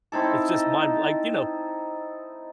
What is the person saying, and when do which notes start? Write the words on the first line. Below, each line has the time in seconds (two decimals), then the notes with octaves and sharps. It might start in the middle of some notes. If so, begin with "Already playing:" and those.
It's just mind like, you know?
0.12 C4 D#4 E4 A4